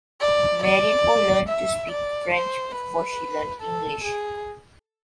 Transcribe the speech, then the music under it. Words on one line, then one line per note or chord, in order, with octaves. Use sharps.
Marinho learned to speak French before she learned English.
D5
D5
E5
D5
C5
B4
A4
G#4